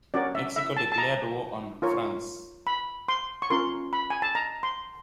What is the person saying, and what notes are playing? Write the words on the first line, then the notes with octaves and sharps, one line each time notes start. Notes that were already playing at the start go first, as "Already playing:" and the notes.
Mexico declared war on France.
C#4 F#4 A#4 C#5 D5
E5
E5
A5
A5
A#5
F4 A#4 C#5
B5
C6
C#6
C#4 F4 A#4 C6
B5
G#5
A5
A#5
C6